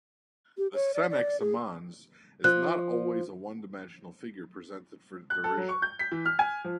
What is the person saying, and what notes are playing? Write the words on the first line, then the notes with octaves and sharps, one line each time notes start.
The "senex amans" is not always a one-dimensional figure presented for derision.
G4
C#5
D5
D5
G#4
F3 F#6
F#6
A4
F#3
C#6
G6
B6
E3
F6
G#5
F3